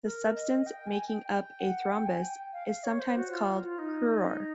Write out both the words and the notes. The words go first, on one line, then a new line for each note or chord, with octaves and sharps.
The substance making up a thrombus is sometimes called cruor.
A#4
D#5
G5
G#5
G5
G5
F#5
G5
G#5
G5
F5
F5
C#5
C5
F#4
F4
F4
D#4